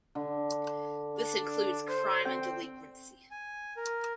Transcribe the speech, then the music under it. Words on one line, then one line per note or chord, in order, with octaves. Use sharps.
This includes crime and delinquency.
D3
D4
C5
C4 G5
G#5
A#4